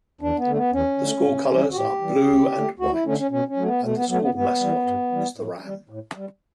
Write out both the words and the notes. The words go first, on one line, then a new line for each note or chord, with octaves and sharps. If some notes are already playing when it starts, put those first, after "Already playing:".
The school colors are blue and white and the school mascot is the ram.
E2 D4
B3
D3 A3
B3
E2 C#4
D3 A3
A2
E3 G3
F#4
A2 G4
E3 G3
D2
D3 A3
D2 F#4
E4
D3 A3 C#4
C#4
B2 C#4
C#4
F#3 A3
B3
B2 A3
B3
F#3 A3 B3
B3
G2 B3
E3 G3
G2
E3 G3
A2
G3
A2
G3